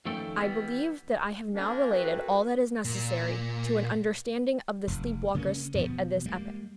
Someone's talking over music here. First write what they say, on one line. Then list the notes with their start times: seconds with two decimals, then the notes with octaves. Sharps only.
I believe that I have now related all that is necessary to an understanding of the sleep-waker's state at this epoch.
0.05 F2 D#3 A3 C#4 A4 G5
0.36 E3 G3 B3
1.55 F2 A#3 C#4 D4
1.91 A3 A#3 C4 F#4 G#4 B4
2.85 A#2
4.87 F1
5.35 C#3 A#3 C4 C#4
5.74 E2 B2 F3 B3
6.26 G3 G#3 A#3